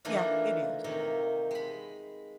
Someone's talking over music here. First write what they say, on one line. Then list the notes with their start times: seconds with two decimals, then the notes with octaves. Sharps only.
Yeah, it is.
0.05 E3 A3 A#3 D4 D#4 F4
0.84 C3 D#3 A#3
1.51 G#3 B5